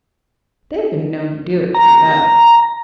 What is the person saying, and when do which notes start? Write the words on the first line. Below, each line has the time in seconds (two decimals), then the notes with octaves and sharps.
They have been known to do it through love.
1.74 A#5